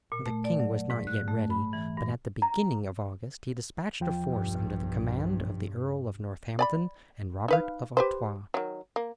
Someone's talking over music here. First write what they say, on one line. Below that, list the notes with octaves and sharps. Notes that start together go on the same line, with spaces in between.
The king was not yet ready, but at the beginning of August he despatched a force under the command of the Earl of Northampton and Robert of Artois.
A#2
A3
D5
F#3
G#2
F#6
A3
B5
E3
G2
A#5
E2 F3 G5
B1 G2
D5 G#5 B5
D#4 B4 F5
G4 B4 C5
D#3 F#3
A#3